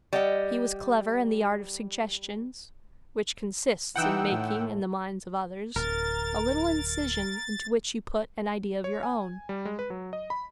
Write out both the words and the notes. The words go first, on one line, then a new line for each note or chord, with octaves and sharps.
He was clever in the art of suggestion, which consists in making in the minds of others a little incision into which you put an idea of your own.
G3 D#5 F#5
E3 D#4 F#5 G5 E6
A2
D1 A#4 A6
C#5
G#5
G3
G#3
B4
F#3
D#5
B5